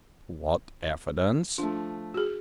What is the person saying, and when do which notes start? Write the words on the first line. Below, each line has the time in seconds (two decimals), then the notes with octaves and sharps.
"What evidence?"
1.58 F3 A3 D4
2.14 F#4 G#4